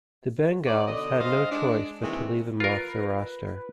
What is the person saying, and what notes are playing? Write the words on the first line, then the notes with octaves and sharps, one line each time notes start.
The Bengals had no choice but to leave him off the roster.
D#4 C#5 D5
B2 D3 D#5
G2 C5 D#5 F5
G#3 D4
C3 D#3 E3 G#3 A#3
F4 A#4 B4